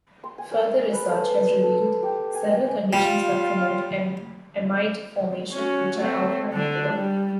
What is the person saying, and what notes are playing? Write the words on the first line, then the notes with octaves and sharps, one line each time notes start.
Further research has revealed several conditions that promote amide formation, which are outlined below.
C6
G#5
A#4
B4
A4
A4
G4
G#5
G3 F4
C#4 F#4
A3 C4
D3 D4
G3